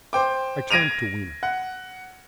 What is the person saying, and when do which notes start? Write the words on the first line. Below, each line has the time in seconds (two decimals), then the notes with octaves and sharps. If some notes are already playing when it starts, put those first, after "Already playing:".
I turned to Weena.
0.13 C5 G5 D6
0.71 G#6 A#6 D7 D#7 F7
1.43 F#5